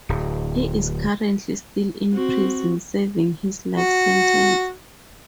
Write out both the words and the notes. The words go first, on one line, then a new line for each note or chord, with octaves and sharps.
He is currently still in prison serving his life sentence.
D1
C4 F#4
F#4